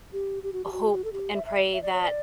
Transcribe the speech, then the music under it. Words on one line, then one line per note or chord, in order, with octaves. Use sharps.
hope and pray that,
G4
G4
F#4
G4
F#4
F#4
A4
G4
E5
E5
E5
D5
C#5
D5